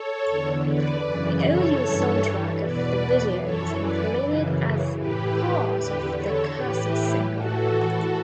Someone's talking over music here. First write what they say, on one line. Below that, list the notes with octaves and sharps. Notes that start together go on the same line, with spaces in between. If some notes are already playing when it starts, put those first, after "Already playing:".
The audio soundtrack of the video was included as part of the cassette single.
Already playing: A4 C#5
E2 D3
B4 D5
F#2 C#3 E3
A4 C#5
G2 E3
E2 B2 B4 D5
F#2 E3 A4 C#5
B4 D5
F#2 C#3 E3
A2 E3 G4 B4
E2 D3 G4 B4
A4 C#5
A2 E3 G4 B4
A2 E3 F#4 A4